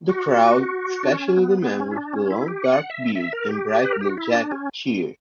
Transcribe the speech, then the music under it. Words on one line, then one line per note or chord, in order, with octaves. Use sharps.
The crowd, especially the man with the long dark beard and bright blue jacket, cheer.
F#4
D4
C#4
B3
B3
C#4
E4
D4
C#4
E4
G4
F#5
E5
E5
A#4
G4
B4
A#4
G4
F#4
E4
D4
C#4